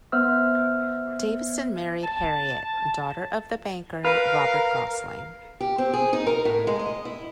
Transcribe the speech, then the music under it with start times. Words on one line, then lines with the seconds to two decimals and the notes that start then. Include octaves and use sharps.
Davison married Harriett, daughter of the banker Robert Gosling.
0.12 B3 C5 E5 E6 F6
2.04 A5
4.05 A#4 B4 F5 F6
5.60 G4
5.78 C4
5.93 G#4
6.13 D#4
6.27 A#4
6.45 A2
6.67 G#3
6.79 D#5
7.05 E4